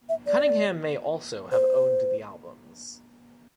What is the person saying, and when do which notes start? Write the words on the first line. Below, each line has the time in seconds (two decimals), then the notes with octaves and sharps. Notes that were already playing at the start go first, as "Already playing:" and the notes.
Cunningham may also have owned the albums.
0.09 E5
0.27 D5
1.52 C5